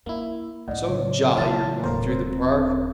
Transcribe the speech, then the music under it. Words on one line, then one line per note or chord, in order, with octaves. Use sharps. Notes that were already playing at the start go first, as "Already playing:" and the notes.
"So jolly you're going through the Park."
A#3 D#4 E4
C2 A2 E4 D5 D#5 F#5
C#3 F#3 C#5
C3 E3 E4 A5 F6
D#1 D#2 A2 F4 A#4 C5
C4